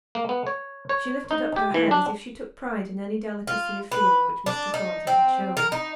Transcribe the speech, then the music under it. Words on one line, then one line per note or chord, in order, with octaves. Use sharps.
She lifted up her head, as if she took pride in any delicacy of feeling which Mr. Thornton had shown.
A#3
B3
C#5
C#5
D#4
G4
E3
D4
F4
B4
D4
D#4
C4
A#4
D#4